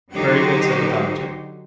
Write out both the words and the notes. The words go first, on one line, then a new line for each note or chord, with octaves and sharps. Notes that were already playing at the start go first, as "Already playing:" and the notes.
"Very good!" said the doctor.
D3 F#3 D#4 F#4 G4 C5